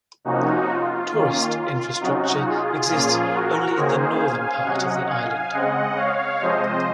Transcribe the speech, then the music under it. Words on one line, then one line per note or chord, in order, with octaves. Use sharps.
Tourist infrastructure exists only in the northern part of the island.
C3 F3 A#3 C#4 D#4 F#4
F4
D#3 A#3 C#4
F4
C3 F#3 C#4 D#4 F#4
F4 G#4
A#2 F3 A#3 C#4 F4 G#4
F#4 A#4
D#3 A#3 C#4 G#4 C5
F5 G#5
C3 F#3 C#4 D#5 F#5
F5 G#5
C#3 G#3 C4 D#5 F#5
C#5 F5
C3 F3 G#3 C4 C5 D#5